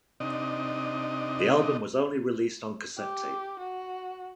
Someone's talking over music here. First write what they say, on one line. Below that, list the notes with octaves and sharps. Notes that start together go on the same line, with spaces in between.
The album was only released on cassette tape.
C3 D4 D#4 D#5
G4
F#4